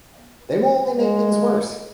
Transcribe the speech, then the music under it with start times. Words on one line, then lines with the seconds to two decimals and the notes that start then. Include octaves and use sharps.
They will only make things worse.
0.95 G#3